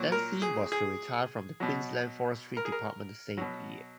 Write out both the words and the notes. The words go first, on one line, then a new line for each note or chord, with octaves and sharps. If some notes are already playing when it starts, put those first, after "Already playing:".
Dansie was to retire from the Queensland forestry department the same year.
Already playing: A#2 F#3
A#4
G#4
G#4
B2 F#3
A#4
G#4
A#4
B2 F#3